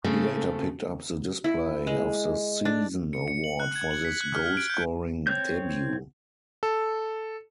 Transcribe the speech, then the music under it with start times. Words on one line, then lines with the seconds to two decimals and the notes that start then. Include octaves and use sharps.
He later picked up the display of the season award for this goal-scoring debut.
0.04 C#3 A3 C4
1.44 E4
1.87 G#3
2.65 D4
3.13 C#7
3.28 C#7
3.44 F#7
3.60 F#6
3.76 G#6
3.91 F#7
4.05 B6
4.21 F#6
4.35 F6
4.46 F6
4.57 D7
4.70 G6
5.27 C4 C#5 G6
6.63 A4